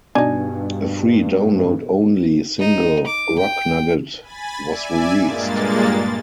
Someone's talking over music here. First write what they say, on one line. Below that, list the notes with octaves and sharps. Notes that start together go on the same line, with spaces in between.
A free download-only single "Rock Nugget" was released.
G2 B2 D4 D#4 G#5
D#4
D6
G5
G#5 B5 A6
D5 E5 G#5
G2 A#2 G#3 A#3 A6